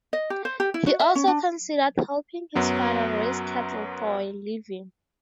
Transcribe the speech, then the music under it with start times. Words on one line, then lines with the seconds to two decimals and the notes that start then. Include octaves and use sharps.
He also considered helping his father raise cattle for a living.
0.13 D#5
0.30 G4
0.45 C5
0.60 G4
0.74 E4
0.87 F#4
1.00 E5
1.15 C#4
1.28 D4
2.55 F#2 F#3 B3